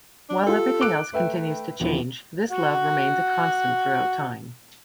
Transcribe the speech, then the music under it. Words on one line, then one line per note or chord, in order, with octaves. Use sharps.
While everything else continues to change, this love remains a constant throughout time.
D4
F4 G4 A4
D6 F#6 D7
A3 B4 E5 G5
E1 F3 E4
F#4 F#5